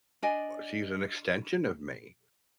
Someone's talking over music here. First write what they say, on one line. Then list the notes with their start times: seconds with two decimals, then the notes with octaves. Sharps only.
she's an extension of me.
0.22 D4 D5 D#5 G#5